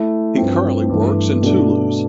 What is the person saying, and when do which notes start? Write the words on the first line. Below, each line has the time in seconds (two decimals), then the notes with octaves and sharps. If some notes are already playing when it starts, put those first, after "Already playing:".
He currently works in Toulouse.
Already playing: A3 E4 A4
0.38 G2 F3 C4
0.89 G2 E3 A3
1.42 B2 A3 D4